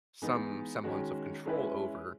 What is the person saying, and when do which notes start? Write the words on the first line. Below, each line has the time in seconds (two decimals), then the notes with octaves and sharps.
some semblance of control over,
0.22 E3 G#3 B3 D#4
0.84 D#3 G#3 C#4 F#4
1.46 G#3 C#4 E4 B4